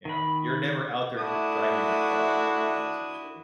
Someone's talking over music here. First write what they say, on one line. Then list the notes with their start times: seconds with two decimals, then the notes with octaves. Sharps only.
you know, you're never out there just driving your car the whole time, essentially.
0.05 D#3 B5
1.17 A3 D4 E4 F#4 D#6